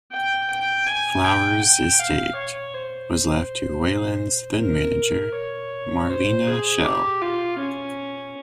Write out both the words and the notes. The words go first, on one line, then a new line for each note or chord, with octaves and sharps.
Flowers' estate was left to Wayland's then-manager, Marlena Shell.
G5
G5
G#5
G5
G5
F5
C#5
C5
A#4
C#5
C5
G#4
G4
F4
C#4